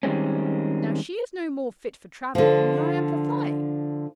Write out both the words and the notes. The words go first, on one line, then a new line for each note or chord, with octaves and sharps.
Now she is no more fit for travelling than I am for flying.
D#3 G3 G#3 C4 C#4
D3 F3